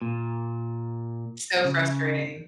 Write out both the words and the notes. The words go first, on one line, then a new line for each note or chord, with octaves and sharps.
So frustrating.
A#2
C#3